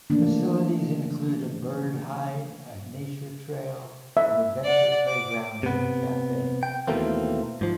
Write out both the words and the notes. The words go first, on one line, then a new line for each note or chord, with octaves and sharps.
Facilities include a bird hide, a nature trail, an adventure playground and a cafe.
E3 F3 A3 A#3 D4
E5
D5 F#5
D6
C3 B3
G5
D#2 B2 E3 A3 A#3 C4
G#2 F3